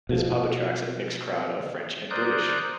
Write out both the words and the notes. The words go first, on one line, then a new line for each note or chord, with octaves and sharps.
This pub attracts a mixed crowd of French and British.
B2 F3
A#4 C5 D5 D#6 F#6 G6